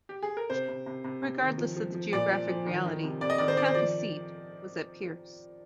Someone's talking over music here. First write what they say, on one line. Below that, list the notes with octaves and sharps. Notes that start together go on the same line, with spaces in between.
Regardless of the geographic reality, the county seat was at Pierce.
G4
G#4
A#4
C3 C5
C3
C3
C3
C3
D#3
F3
F3
F3
A#2 D5
F3
F3
D#3
D#3
C3
C3 D5
D#5
D#3 D5
C5
D#3 D5
C5
F3 D5